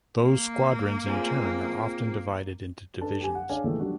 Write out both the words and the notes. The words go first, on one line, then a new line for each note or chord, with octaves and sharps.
Those squadrons in turn are often divided into divisions.
A#3
C4 F4 G#4
D4 A4 B4 A5
G4 G#5
F#5
D4 G#4 C#5 D5 F5 G#5
A#2 D#3 E3 G#3 A3
F#3 G3 B3 D4 F#4